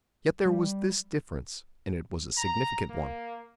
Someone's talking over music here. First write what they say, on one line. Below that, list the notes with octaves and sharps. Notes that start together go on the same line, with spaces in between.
Yet there was this difference, and it was a significant one.
G3
A#5
A#3